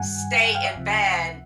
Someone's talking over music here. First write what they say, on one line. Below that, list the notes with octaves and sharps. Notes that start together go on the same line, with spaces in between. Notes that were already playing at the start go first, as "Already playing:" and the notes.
stay in bed,
Already playing: G2 D#3 G3 F#5 G#5
F5 G5
F#5 G#5
F5 G5
E5 F#5
C#2 C3 F3